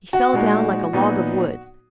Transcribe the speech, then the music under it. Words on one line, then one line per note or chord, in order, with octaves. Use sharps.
He fell down like a log of wood.
F#4
A#2 G#3 D#4
A#2 F#3 B3 D#4